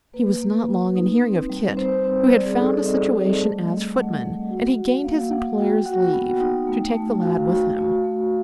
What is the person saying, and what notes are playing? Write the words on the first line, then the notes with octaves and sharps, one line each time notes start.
He was not long in hearing of Kit, who had found a situation as footman, and he gained his employer's leave to take the lad with him.
A#3 B4
A#3
A#3
D#4
C4
G3
C4 C5
C4 C5
G3 D5
G#4
D#4 A4
D5
C4 D#5
G3
A3
A3
A3 F#5
A3
F#4
F#4
A#3 F5
A#3 F#5
F#4 G5
F#4 F#5
B3 G5
D#4
A3
A3
F#4 F5
F#4
A3
A3